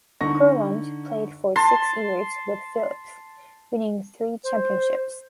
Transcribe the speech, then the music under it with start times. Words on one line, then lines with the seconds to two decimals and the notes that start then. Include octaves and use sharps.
Kurland played for six years with Phillips, winning three championships.
0.21 D3 D#4 C#6 A#6
1.56 A5 C6
4.44 C5